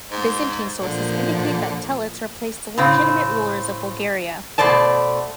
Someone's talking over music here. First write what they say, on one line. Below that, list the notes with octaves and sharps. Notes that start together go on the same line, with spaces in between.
Byzantine sources indicate that Telets replaced the legitimate rulers of Bulgaria.
G#2
A#2 D3 F3
A2 C#3 C4
B2 A3 C5 D5 A5